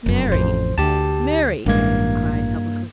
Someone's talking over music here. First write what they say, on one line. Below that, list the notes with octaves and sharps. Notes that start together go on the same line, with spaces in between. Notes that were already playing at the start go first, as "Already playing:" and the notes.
"Mary, Mary!" he cried, helplessly.
F1 F#2
A1 F2 C5
D2 G4 A5
A1 G2 G#3 A#3 G#6